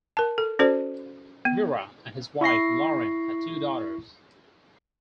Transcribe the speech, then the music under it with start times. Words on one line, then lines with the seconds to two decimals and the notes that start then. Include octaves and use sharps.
Mirra and his wife, Lauren, had two daughters.
0.17 A#4 A5
0.38 A4
0.59 C#4 F#4 A4 C5 D5
1.45 B3
2.41 E4 C#6 A#6 C7